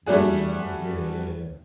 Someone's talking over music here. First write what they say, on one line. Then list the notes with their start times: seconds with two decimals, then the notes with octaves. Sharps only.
There you go, yeah.
0.06 G3 A3 D4 F#4 G#4